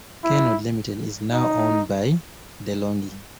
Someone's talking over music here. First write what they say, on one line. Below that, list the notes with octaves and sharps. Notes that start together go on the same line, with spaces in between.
Kenwood Limited is now owned by DeLonghi.
E4
D#4